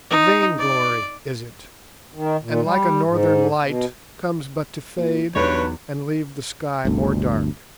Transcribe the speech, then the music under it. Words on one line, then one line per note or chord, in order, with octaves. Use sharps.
A vainglory is it, and like a northern light, comes but to fade and leave the sky more dark.
D#4
D5
D#3
A#2
G3
G#2
B2
A#2
B1 E2 G2 B4 C#5
G1 D2